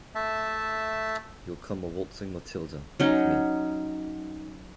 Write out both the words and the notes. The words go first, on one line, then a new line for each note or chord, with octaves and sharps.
You'll come a-waltzing Matilda, with me.
A3 E5 A5
F#3 C#4 D#4